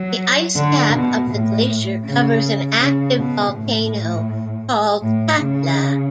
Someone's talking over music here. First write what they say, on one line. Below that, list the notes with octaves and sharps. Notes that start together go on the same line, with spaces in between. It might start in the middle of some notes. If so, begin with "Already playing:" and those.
The icecap of the glacier covers an active volcano called Katla.
Already playing: F#3
D3
B2
A2
C#3
C#3
B2
A2
A2
C#3